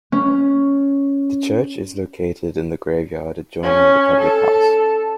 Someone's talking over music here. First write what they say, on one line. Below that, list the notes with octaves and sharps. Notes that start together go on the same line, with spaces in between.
The church is located in the graveyard adjoining the public house.
C#4
C#4
A4